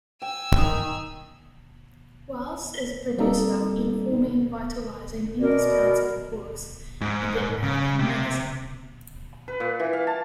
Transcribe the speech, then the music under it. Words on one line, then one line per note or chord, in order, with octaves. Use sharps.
Wells as a producer of "informing, vitalizing, indispensable books" in the "American Magazine".
G5 G#5 E6
D#3 D#6
G3 A#3 C4 D#4 A4 D5
B2 F#4 A#4 D5
G#2
C#3
C3
B4
A#2
E3
F5
A5